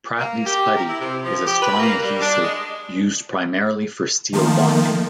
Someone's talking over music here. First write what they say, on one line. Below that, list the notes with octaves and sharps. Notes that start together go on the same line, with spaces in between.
Pratley's Putty is a strong adhesive used primarily for steel bonding.
A#3
G4
A#4
E4
C3
F3
G4
B4
A#3
G3
D4
G#3
D#3 F3 A3 A#3